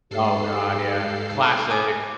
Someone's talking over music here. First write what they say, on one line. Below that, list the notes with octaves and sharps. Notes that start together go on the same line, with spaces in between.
Oh God, yeah, classic.
G#2 G4 A4 C7
D#5 G#5 D6